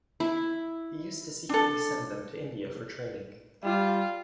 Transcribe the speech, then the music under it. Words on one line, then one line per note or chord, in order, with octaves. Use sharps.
He used to secretly send them to India for training.
E4
D4 A4
G3 F4